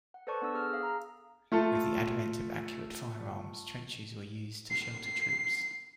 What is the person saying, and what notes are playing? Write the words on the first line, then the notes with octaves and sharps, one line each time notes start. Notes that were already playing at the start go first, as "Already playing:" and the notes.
With the advent of accurate firearms, trenches were used to shelter troops.
F#5
A4 B4 C5 D5 A5 C#6
B3 D4 A4 E6
G#4 F6
G#4 F5
A#5
A3 F4 A4
C7